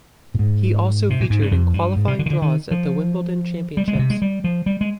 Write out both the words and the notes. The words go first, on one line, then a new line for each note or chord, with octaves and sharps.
He also featured in qualifying draws at the Wimbledon Championships.
A#2
G#2
C3
A#2
G#2
G2
F2
G2
G#2
C3
D3
D#3
D3
D#3
F3
G3
G#3
D3
C3
G#3
G3
F3
G3
G#3